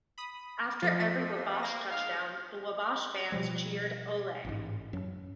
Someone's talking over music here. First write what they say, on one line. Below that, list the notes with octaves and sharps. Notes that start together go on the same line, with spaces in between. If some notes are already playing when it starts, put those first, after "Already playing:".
After every Wabash touchdown, the Wabash fans cheered Ole!
B5 D#6
F2 F3 A3
A#3 A#6
G#2 G#3 F5
B2 F3 G3
A1 G#2
F#2 F#3